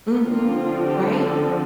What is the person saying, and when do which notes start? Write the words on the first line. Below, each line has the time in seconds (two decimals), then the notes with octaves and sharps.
Mhm. Right?
0.23 D3 F3 C4 F4
0.84 G4
1.15 A4